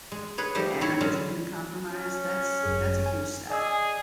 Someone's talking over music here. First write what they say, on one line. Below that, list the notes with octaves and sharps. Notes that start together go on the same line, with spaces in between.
and understanding compromise, that's that's a huge step.
G#3
G#4 B4 C#5
F3 G3 A3 D#4 G4
E4 C#5
D3 F#3 G#3 C#4
C#4
G1 F#2 G#4
G#5
G#4 D5 D#5 E6